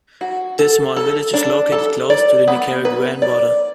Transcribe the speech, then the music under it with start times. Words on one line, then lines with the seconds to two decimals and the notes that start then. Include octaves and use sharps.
This small village is located close to the Nicaraguan border.
0.21 F#4
0.59 A4
0.96 A4
1.34 D4
1.72 A4
2.10 D5
2.48 B3
2.85 B4
3.22 D5